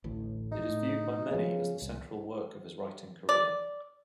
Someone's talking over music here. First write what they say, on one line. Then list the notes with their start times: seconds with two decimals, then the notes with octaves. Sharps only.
It is viewed by many as the central work of his writing career.
0.04 A1 D2 A2
0.52 D#4
0.69 A2
1.30 C#3 F3 B3
1.82 C2
3.29 D5